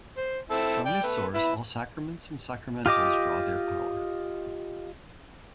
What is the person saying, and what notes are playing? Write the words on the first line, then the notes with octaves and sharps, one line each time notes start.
From this source all sacraments and sacramentals draw their power.
C5
C4 E4 A4
D5 G5
A3 B3
B3 E4
F4 G4 D#5 D6